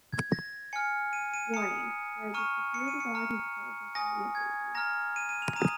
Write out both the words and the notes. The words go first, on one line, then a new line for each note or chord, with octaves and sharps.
Warning, there is a security guard who patrols the area daily.
G#6
A#6
G#5 F6 C#7
D#7
D#7
A#5 D#6 C#7
A#5 C#6 F6 D#7
C#7
D#7
C#7
A#5 F6
G#5 D#6 A#6
G#6
A#5 F6 A#6
D#7
D#7
F7
A#5 D#6 D#7